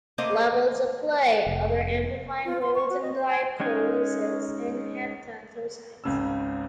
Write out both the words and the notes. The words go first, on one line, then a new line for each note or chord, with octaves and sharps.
Levels of play other amplifying roles in glycolysis in hepatocytes.
A3 A#3 C5 D#5 F5
F1
F4
C6
C#6
F#4
D#5
C5
G#5
G#3 C#4 D#4 G#5
G#1 C#2 C#3 E6